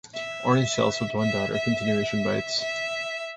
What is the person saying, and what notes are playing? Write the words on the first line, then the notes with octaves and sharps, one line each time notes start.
Orange cells with one dot are continuation bytes.
E5
E5
E5
E5